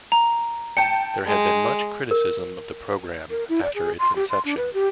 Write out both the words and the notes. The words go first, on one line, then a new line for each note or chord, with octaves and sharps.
There had been much criticism of the program after its inception.
A#5
G5 A5 C#7
G#3
A#4
A#4
E4
D5
G#4
C6
G4
C6
D4
B4
G4